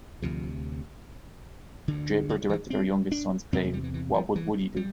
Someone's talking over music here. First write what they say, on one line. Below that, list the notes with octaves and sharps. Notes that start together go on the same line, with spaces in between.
Draper directed her youngest son's play What Would Woody Do?
D2 C3 F3
D2 D3
D3
E3
C4
D4
E2 C3 C4
A3
G3
E3
E3
F3
E3
G3